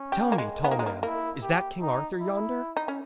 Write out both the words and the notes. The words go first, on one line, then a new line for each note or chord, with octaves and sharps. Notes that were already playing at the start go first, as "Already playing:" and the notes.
'Tell me, tall man, is that King Arthur yonder?'
Already playing: C#4
G4
A#3
G#3
B3 D#4
A#3
G#3
A#3
A#3 E4
G4
D#4
E4
D#4
C#4